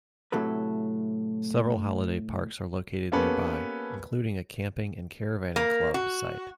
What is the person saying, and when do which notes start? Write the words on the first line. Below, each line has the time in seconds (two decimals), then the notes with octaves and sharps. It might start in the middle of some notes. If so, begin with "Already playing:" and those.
Several holiday parks are located nearby including a Camping and Caravanning Club site.
0.32 A2 C3 F#3 A4 B4
3.12 A#3 B3 C#4 G4 A4 B4
5.56 A#3
5.94 F#4